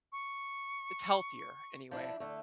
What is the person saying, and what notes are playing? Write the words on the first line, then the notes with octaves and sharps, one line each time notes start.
It's healthier, anyway.
C#6
F3 D4 E4
D3 A3